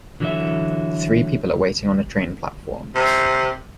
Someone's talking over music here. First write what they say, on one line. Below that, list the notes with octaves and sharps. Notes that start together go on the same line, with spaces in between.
Three people are waiting on a train platform.
D3 E3 F#3 F#4 A4 E5
C3